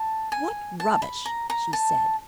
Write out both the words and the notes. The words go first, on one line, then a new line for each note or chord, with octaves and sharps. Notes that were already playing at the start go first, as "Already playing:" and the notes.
"What rubbish!" she said.
Already playing: A5
G#5
A5
B5
A#5
A#5
A5